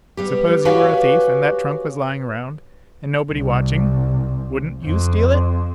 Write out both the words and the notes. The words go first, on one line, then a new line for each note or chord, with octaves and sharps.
Suppose you were a thief, and that trunk was lying around and nobody watching--wouldn't you steal it?
G3 B3 G4
F#4 G4 B4 C#5 F5 G#5
C2
F2